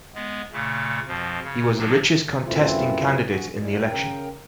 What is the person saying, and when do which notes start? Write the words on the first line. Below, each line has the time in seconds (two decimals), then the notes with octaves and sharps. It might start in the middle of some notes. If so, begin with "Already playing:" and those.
He was the richest contesting candidate in the election.
0.15 G#3 B3
0.53 A#2 C#3 A3
1.08 F2 B2 F3
1.43 C#3
1.78 C3 F3 F#3 D4
2.45 F#2 E3 A3 C4 E4 F4
3.30 G2 F#4 G#4
3.58 A2 G3 G#3
3.85 C#3 A#4 G5